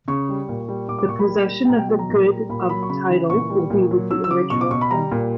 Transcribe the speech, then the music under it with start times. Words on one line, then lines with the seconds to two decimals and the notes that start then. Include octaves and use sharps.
The possession of the good of title will be with the original owner.
0.08 C#3 C#6
0.29 G3
0.49 A#2
0.69 G3
0.88 A#2 D6
0.98 D6
1.09 A#2 C#6
1.19 B5
1.29 G3
1.49 G3
1.65 G5
1.69 B2 A#5
1.79 G5
1.89 F#3 G5
1.99 A#5
2.09 A#2
2.29 G3
2.49 A#2 B5
2.69 F#3 B5
2.83 C#6
2.89 C#3 B5
3.10 E3
3.30 A#2 C#6
3.50 G3
3.70 A#2
3.91 F#3
4.11 F#3 E6
4.24 E6
4.30 C#3 D6
4.50 B2 C#6
4.61 D6
4.71 B2 C#6
4.81 B5
4.91 G3 A#5
5.12 A#2